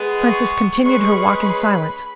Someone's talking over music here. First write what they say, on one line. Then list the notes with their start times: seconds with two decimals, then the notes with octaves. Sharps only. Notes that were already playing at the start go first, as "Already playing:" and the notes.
Frances continued her walk in silence.
Already playing: G#3 B3 G#4
0.29 C#6
0.84 G#3 C#4 G#4 B4 C#6
1.40 B5